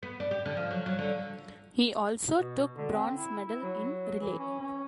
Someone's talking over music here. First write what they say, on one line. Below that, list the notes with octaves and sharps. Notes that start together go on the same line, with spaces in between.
He also took bronze medal in relay.
B3
D4
G4
D3
F3
F#3
F#3
D3
B2
D3
C4
E4
E4
F#3
E3
C#4
C#4